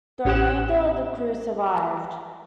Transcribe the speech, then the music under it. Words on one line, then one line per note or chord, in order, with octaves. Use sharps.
The remainder of the crew survived.
A1 C#4 G4 F#5 F#6 E7